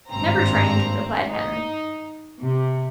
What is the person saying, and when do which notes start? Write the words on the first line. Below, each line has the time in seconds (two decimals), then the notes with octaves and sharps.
"Never trained," replied Henry.
0.11 G#1 G2 C4 A#5
1.29 D#4
2.41 C3